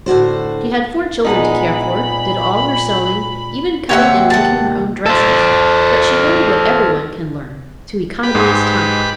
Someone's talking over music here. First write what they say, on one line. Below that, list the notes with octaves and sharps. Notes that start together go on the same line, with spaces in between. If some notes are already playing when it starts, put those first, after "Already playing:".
She had four children to care for, did all her sewing, even cutting and making her own dresses; but she learned what every one can learn,--to economize time.
A2 D3 F#4 C5
A#2 G#3 B3 D#4 B5
D#2 C3 C#5 E5 F#5 G5
F#5 A5
A4 C5
G4 B4 B5
G#2 G#3